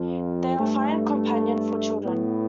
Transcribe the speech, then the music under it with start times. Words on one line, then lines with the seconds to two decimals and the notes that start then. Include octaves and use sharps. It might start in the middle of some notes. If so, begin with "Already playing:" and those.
They are fine companion for children.
Already playing: F2 F3
0.59 G2 A3
2.05 A2 B3